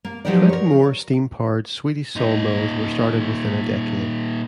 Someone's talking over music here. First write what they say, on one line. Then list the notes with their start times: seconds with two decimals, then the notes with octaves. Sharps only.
Twenty more steam powered Swedish saw mills were started within a decade.
0.05 A#3
0.25 F3 F#3 D#4 G4 A#4 D5
0.49 A#4 C#5
2.16 A#2 D#4